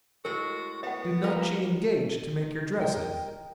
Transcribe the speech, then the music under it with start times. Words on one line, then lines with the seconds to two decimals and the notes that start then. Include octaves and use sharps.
Did not she engage to make your dresses?'
0.25 A2 G#3 F#4 A#4
0.83 B3 D#5 F#5
1.23 E3 F3 A#3 F4 A#4 B4
2.78 A#4 D#5 G5